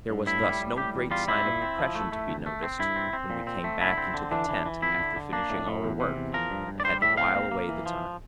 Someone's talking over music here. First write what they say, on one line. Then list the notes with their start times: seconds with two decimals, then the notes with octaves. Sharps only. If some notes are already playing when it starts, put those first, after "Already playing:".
There was thus no great sign of depression to be noticed when we came back into the tent after finishing our work, and had to while away the time.
0.10 G2
0.26 A2 E4
0.44 G3
0.60 A2
0.77 G3 G4
0.95 E2
1.11 G3 F4
1.28 C4 E4
1.45 A#2
1.62 C4
1.79 F3
1.95 A3
2.12 A3
2.28 D2
2.46 A3
2.63 C4
2.79 G2 E4
2.96 C4
3.13 C4
3.30 A#2
3.47 C4
3.64 A3
3.81 D3 E4
3.97 C4
4.14 D3
4.31 E3 D4
4.49 E3
4.66 E3
4.82 F2 E4
4.99 D3
5.16 D3
5.32 A#3 D4
5.50 A2
5.67 A2
5.84 E2
6.00 C3
6.17 E2
6.33 F3 A#4
6.50 G2
6.67 G2
6.80 D5
6.84 G3 C5
7.01 A2 E5
7.17 C4 F5
7.35 A#3
7.52 A#3
7.69 E3
7.86 F3